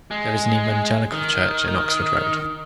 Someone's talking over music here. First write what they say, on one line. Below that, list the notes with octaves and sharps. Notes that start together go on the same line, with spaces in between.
There is an Evangelical church in Oxford Road.
G#3
D#3